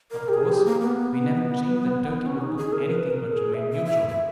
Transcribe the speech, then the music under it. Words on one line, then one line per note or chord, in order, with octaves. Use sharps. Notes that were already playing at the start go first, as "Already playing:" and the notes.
Of course, we never dreamed that Turkey would do anything but remain neutral.
A#4
G4
G#4
G4
A#3
B3
C#4
D#4
G#4
A#4
B4
A#4
G#4
E5
E5
E5
E5